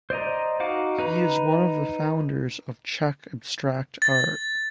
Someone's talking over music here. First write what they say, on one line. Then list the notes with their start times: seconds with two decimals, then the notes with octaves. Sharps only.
He is one of the founders of Czech abstract art.
0.10 C5 D5 D#5 A#5
0.60 D#4 F#4 F5 D6
0.98 D#4 B4 A#5
4.02 A6